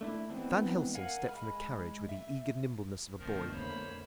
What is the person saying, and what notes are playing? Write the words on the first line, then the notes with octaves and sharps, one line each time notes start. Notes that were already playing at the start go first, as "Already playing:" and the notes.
Van Helsing stepped from the carriage with the eager nimbleness of a boy.
A3 D4 E4
E3 G#3 B3 C4 D4
A#4 F5 F#5 G#5
G#3 G#5 B5 F6
E5
B2 D3 D#3 F3 A3 C4 A#4
F2 A#3 C5 C#5 B5